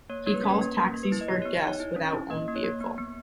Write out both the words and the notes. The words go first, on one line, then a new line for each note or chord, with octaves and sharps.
He calls taxis for guests without own vehicle.
A#3 C#5
A#3 C#5
B4
C#4 A#4
B4
A#3
A#3 A#4
A#3
B4
E4
D#5
G4 C#5
C#5
B3
D#5
D#4 C#5
E4
C#4
E4
A#3 D#5
A#3
C#5
A#3
B3
B3